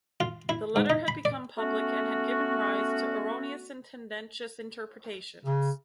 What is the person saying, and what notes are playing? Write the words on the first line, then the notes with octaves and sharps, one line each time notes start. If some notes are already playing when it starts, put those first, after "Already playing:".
The letter had become public and had given rise to erroneous and tendentious interpretations.
F4
E4
G#2
D#4
B5
D5
A3 B3 C#4 F#4
C#3